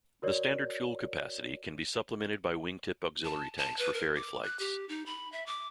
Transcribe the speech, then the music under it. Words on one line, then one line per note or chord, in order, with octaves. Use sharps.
The standard fuel capacity can be supplemented by wingtip auxiliary tanks for ferry flights.
F#4 A#4 C#5 D5
A5
A5
B4
A#4
D6
F#6
G4
D#4
B5
E5
D6